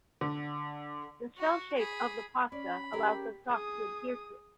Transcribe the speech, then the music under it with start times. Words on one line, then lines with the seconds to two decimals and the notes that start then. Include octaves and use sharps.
The shell shape of the pasta allows the sauce to adhere to it.
0.21 D3
1.37 F#4
1.77 G#4 B5
2.52 C#4 D5 B5
2.93 C#4 G4 G#4 A#4
3.47 G#4 D#6